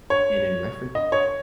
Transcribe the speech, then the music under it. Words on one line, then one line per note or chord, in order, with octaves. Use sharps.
And in reference to that,
C#5
D#5
C#5